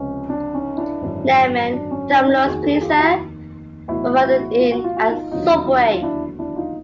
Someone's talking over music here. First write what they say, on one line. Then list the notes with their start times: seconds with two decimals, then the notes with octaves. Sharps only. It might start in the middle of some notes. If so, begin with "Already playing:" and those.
Lemon, Domino's Pizza, Ramada Inn and Subway.
Already playing: C#2 C3 F3 C#4
0.29 D4
0.53 C#4 D#4
0.77 D4 E4
1.01 G#1 F#2 D3 F#3
1.73 D4
1.91 C#4
2.10 D4
2.27 C#4 D#4
2.44 F1 D#2 D#3 F#4 G#4
2.62 G4 A4
2.74 G#4
2.81 F4 G4
2.98 E4 F#4
3.88 B1 A2 E3 E4 F#4
4.23 E4 F#4
4.60 F4
4.72 F#4
4.84 F4
4.97 F#4
5.09 D#4 F4
5.31 E1 D#2 D3 F#3 D#4 F4
5.67 D#4 F4
5.94 F4
6.02 D4 E4
6.39 D4 E4
6.56 D#4 F4